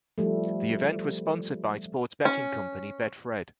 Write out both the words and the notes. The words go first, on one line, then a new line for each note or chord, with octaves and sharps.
The event was sponsored by sports betting company Betfred.
F3 G3 A3
C#4